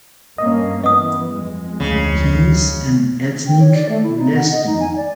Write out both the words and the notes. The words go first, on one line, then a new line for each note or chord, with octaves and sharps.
He is an ethnic Lezgin.
G2 A#3 C#4 D#5
E3 B3 D#5 D#6
F2 G#3
D2 C#3
G5
C#5
D5
A3
E4
D#4
F#5
D#5
D#4
G#5
D5